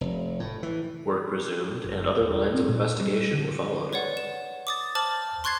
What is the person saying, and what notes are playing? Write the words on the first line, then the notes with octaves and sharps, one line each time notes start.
Work resumed and other lines of investigation were followed.
F1
A2
E3
F#1
E1
C4
A#2
G3
D3
B4 C#5 D5 F#5
E7
D6 D#6 A6
C5 A5 D6 F6 A6 F#7
C6 C#6 F#6 G#6 A6 C7